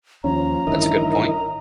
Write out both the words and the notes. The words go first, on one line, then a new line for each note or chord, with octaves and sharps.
That's a good point.
D#2 F3 C#4 A#5
A1 G2 D#3 E4 A#4 D#5